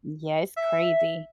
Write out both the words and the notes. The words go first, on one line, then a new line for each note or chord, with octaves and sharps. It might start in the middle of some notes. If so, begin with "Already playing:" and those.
Yeah, it's crazy.
E5